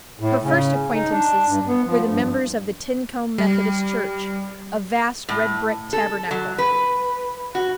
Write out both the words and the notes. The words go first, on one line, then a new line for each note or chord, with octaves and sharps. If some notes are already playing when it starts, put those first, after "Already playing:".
Her first acquaintances were the members of the Tincomb Methodist Church, a vast red-brick tabernacle.
A2
C#3
D#4
D4
G2
B3
F3
G2
G3
A2
A4
F#3
B4
F#4